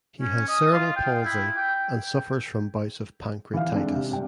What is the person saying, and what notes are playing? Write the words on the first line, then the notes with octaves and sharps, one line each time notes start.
He has cerebral palsy and suffers from bouts of pancreatitis.
C#4
D#5
F4
G5
E4
G5
E3 F5
G#3 C4 D4
C3
G2 G5